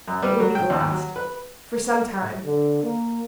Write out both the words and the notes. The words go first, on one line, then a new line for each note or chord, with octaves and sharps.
"It will be the last--for some time."
F#2
G3
F#3
G5
D#2
F#3
B4
D3
A#3